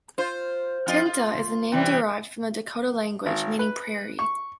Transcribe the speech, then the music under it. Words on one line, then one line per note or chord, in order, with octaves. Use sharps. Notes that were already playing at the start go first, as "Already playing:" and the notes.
Tintah is a name derived from the Dakota language meaning "prairie".
F4 C5
F2 F4 D#5
F4
C3 E3 G3
G#1
B4
C#6